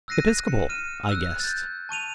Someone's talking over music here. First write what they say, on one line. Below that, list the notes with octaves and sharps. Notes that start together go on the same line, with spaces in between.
"Episcopal?" I guessed.
E6 F#6 A#6 C7 D#7
C#7 E7
F6 D#7 E7
E6 F#6
G6 A6
A5 C#6 D#7 F7